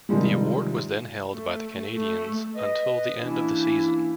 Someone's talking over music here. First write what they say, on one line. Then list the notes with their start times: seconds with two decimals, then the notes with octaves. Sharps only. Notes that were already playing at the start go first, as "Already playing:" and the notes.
The award was then held by the Canadiens until the end of the season.
0.09 C3 D#3 F3 G3 G#3
1.33 A3
1.93 A3
2.55 B4 D#5
3.19 E3 A#3 C#4 D4 E4